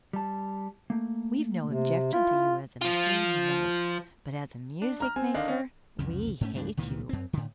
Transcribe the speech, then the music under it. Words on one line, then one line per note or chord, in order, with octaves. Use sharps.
"We've no objection to you as a machine, you know; but as a music-maker we hate you."
G3 A5
A3 A#3
C3
E4 F4
F3 F4
D4
A#5 F6
C4 G#5
D3 D#3 D4 D#5 F5
C#4
C2 F2 C#3
G#2 A3 C#4
C#2 G2 F#3 D4
C#2 A#2 D#3 E3
F#2 C4
A2 D3